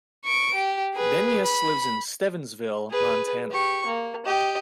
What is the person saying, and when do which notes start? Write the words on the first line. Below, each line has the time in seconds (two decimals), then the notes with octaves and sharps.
Benyus lives in Stevensville, Montana.
0.24 C#6 D7
0.55 G4
0.94 G#4 B4
1.45 B5
2.91 G#4 B4
3.51 G4 C#6
3.86 A#3
4.25 G4 D#5